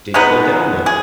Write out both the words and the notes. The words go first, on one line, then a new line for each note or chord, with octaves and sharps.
Digital download.
G#3 B3 D#4 B4
G#4